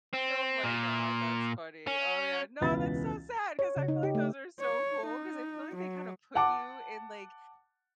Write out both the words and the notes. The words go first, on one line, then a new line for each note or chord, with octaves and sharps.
Oh my god, that's funny. Oh, yeah, no, that's so sad 'cause I feel like those are so cool 'cause I feel like they kinda put you in, like,
C4
A#2
C#4
E1 C#2 E3 B3 B5 A6
C#5
C#3
D#4
G4
A3
C#5
D#4
F#3
F#5 A5 D6